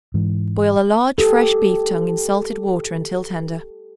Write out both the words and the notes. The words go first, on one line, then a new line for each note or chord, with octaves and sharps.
Boil a large fresh beef tongue in salted water until tender.
G#2 E3
G4 A4